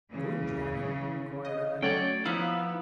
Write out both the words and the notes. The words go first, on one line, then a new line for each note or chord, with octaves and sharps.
"Going driving?" inquired I.
C#3 E3
D#5
F#3 A3 C#4 C#5 D5 G5
F3 B3 D#4 E4 F5